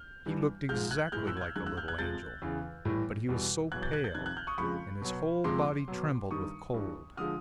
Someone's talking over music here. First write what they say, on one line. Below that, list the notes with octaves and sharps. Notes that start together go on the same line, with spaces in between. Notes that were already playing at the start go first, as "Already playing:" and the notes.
He looked exactly like a little angel, but he was so pale, and his whole body trembled with cold.
Already playing: F6 G6
G2 E3 G3
G#2 F3 G#3 F6 G6
F#6 G#6
A2 E3 G#3 F6 G6
E6 F#6
G#6
F6 G6
F#2 D#3 G#3 F#6 G#6
E6 F#6
F6 G6
F#6 G#6
F2 C3 F3 G#3 G6 A6
E2 C#3 E3
A2 E3 G3
E2 B2 G3
E2 B2 F#3 F#6 G#6
G6 A6
F#6 G#6
G6 A6
F2 C3 D#3 F#6 G#6
F#6 G#6
F6 G6
C#6 D#6
F2 C#3 F3 G#3 B5 C#6
B2 F#3
F2 C3 F3 G#3 C6 D6
B2 F#3
G2 D#3 G3 C#6 D#6
G2 E3 G3
D3 F3 G#3 D#6 F6